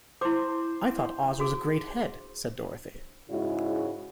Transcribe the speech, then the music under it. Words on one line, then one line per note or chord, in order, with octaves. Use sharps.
"I thought Oz was a great Head," said Dorothy.
E4 C5 D6
F#4 G#4
G#2 C#3 G#3 E4 F#4 C#5